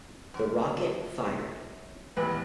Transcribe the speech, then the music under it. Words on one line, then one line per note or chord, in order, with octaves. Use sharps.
The rocket fired.
F#2
D#1 A#1 E2 B4